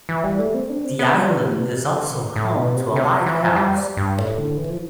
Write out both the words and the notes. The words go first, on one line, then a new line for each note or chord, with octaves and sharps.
The island is also home to a lighthouse.
E3
G3
A3
C4
D4
C4
B3
G3
E3
C3
B2
C3
D3
B2
A2
A2
B2
C3
D3
C3
E3
F3
G3
G2
A2
D3
E3
F3